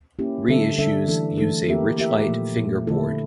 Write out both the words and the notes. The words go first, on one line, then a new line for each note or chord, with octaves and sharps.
Reissues use a richlite fingerboard.
A#3 C#4 E4 G4
D3 G3 D4 A4 E5
D3 G3 D4 A4 E5
E3 A3 D4 A4
E3 A3 D4 A4
A#3 E4 G4 A#4 E5
A#3 E4 G4 A#4 E5
A#2 F3 A3
A#2 F3 A3
D3 A3 E4 A4